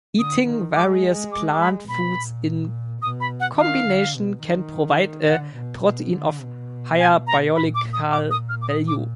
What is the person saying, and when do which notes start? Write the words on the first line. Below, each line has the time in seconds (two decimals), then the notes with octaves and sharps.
Eating various plant foods in combination can provide a protein of higher biological value.
0.18 D3 D#6
0.47 D#3
0.75 G#3 D6
1.32 D6
1.51 D6
1.60 B5
1.89 B2 B5
2.17 A#2
3.02 B2 D#6
3.20 B5
3.40 F#5
3.58 D#3 F5
3.87 D3
4.16 B2
4.44 D#3
5.28 D3 F#5
5.57 B2
5.85 B2
6.13 D3
6.42 B2
6.99 G#5
7.27 A#5
7.55 A#2 B5
7.75 D6
7.93 D#6
8.12 A#2 D6
8.31 D#6
8.49 F6
8.62 D6
8.69 D#6
8.88 D6